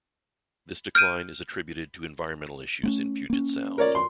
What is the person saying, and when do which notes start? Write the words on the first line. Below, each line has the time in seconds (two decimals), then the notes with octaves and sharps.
This decline is attributed to environmental issues in Puget Sound.
0.95 F6 G6 D7 D#7
2.83 A3 B3 C#4
3.30 A#3 C#4
3.78 A#4 C#5 D5
3.95 C6